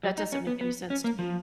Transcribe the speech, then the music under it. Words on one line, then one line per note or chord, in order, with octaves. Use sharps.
That doesn't make any sense to me.
F#3
D#4
C#4
B3
B3
C#4
A#3
F3